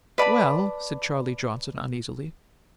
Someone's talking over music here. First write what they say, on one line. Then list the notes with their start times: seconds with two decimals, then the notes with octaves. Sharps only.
"Well--" said Charlie Johnson uneasily.
0.18 B4 D5 A5 B5